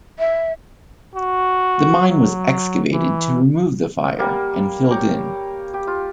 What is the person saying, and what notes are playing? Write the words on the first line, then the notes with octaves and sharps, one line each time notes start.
The mine was excavated to remove the fire and filled in.
E5
F#4
F#3
E3
G3 A#3 F#5
C#5 G5 A#5 D6
G4
F4